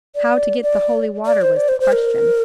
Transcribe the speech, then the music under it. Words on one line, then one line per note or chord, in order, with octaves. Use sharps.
How to get the holy water was the question.
D5
D5
D5
C5
D5
C5
C5
A#4